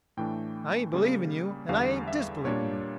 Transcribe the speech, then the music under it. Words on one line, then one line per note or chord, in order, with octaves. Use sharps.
I ain't believing you and I ain't disbelieving you.
A2 E3 A3 D4 G5
C#3 G3 A#3
E2 D3 G3 F5
E5
A#2 G3 A#3 D4 C#5